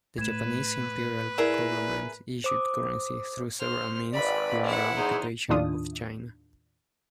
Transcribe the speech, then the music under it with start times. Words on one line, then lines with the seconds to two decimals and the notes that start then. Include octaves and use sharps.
The Japanese Imperial Government issued currency through several means during their occupation of China.
0.18 A2 B4 G#6 E7
1.38 E4 G#4 A#4 D5 E5
2.44 C5 D6 D#6
3.59 C5 F6
4.13 G#1 B4 D5 B5
4.64 E4 F#5
4.96 E2 D#4 G#4 C5
5.49 D#2 A2 D#3 D4 F4 D#6